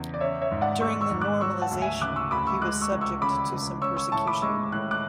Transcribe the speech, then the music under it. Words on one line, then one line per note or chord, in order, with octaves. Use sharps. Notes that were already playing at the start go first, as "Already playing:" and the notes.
During the Normalization he was subject to some persecution.
Already playing: E2 C#3
D5
C#4 C#5 E5
C#5 E5
G#2
D5 F#5
G#3 C#6 E6
C#6 E6
G#2
D6 F#6
F#3 C#6 E6
F#5 A5
D2
E5 G#5
C#3 D6 F#6
C#6 E6
D2 B5 D6
C#6 E6
G#3 D6 F#6
C#6 E6
C#2
C#6 E6
C#3 B5 D6
C#2
C#4 C#6 E6
C#6 E6
A2 A5 C#6
B5 D6
G#3 C#6 E6
A2 F#6
D6 F#6